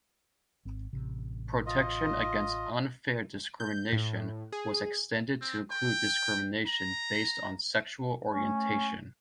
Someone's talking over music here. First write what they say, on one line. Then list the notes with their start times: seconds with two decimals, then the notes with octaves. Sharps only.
Protection against unfair discrimination was extended to include discrimination based on sexual orientation.
0.65 G#1 C4
0.93 A1 C3
1.66 F4 D#5
3.60 G6
3.93 A2
4.53 G#4
5.41 C4
5.71 G5
6.66 A#5
8.33 A3 C#4